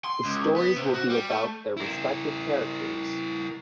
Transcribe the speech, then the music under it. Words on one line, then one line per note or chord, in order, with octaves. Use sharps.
The stories will be about their respective characters.
C6
C#2
B3
C3
F#4
G3
A3
E4 A#4